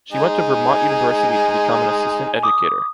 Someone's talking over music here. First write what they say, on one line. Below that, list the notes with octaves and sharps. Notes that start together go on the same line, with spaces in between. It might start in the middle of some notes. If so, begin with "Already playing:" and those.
She went to Vermont University to become an assistant educator.
G#3 D#4 G#5
D6 D#6